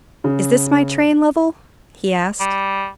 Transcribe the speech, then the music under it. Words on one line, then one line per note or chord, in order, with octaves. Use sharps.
"Is this my train, Lovell?" he asked.
C#3
G3